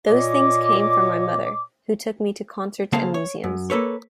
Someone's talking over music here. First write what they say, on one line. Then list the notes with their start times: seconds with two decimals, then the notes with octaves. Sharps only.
Those things came from my mother, who took me to concerts and museums.
0.07 A#2 C#5 D#5 D6
2.93 C#3 A#3 G#4 A4 C5 F5
3.14 C#5
3.44 F#2
3.70 A#3 A4 B4 C#5